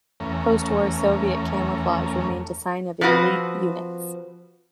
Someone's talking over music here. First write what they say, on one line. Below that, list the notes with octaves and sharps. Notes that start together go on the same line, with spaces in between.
Post-war Soviet camouflage remained a sign of elite units.
E2 A3 C#4 A#5
F3 C4 F#4 B4